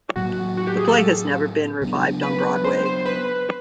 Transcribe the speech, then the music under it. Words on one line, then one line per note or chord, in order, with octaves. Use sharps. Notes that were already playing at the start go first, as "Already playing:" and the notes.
The play has never been revived on Broadway.
A2 F#3 A#3 F#4
F#4
G4
G#4
A4
C#3 F#3 B3 D4
B4
C5
C5
B4